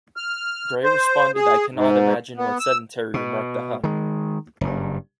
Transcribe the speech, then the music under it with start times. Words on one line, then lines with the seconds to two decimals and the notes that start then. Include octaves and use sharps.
Gray responded I cannot imagine what sedentary remark the hon.
0.17 F6
0.83 C5
1.35 G#4
1.74 G#2
2.37 B3
2.60 E6
3.14 B2
3.84 D#3 G#3
4.61 F#1 G2